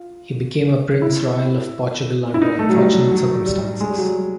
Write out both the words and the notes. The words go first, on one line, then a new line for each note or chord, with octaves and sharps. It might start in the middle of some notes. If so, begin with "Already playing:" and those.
He became Prince Royal of Portugal under unfortunate circumstances.
Already playing: F4
E4
E4
D#4
A3
F#3
G3
F#3
F#3
G3
G#3
G3
F#3
G3